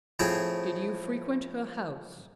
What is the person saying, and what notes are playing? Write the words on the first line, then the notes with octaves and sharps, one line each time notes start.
"Did you frequent her house?"
A2 F3 C4 F4 G#4